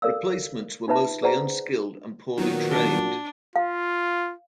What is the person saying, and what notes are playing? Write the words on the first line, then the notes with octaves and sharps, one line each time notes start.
Replacements were mostly unskilled and poorly trained.
A4 A#4 D5 F5 E6
D#4 F4 B4 E5 A5
G#4 B4 C5 D5 F#5 A#5
A#2 D#3 F#3 B3 F#4
D4
F4 F5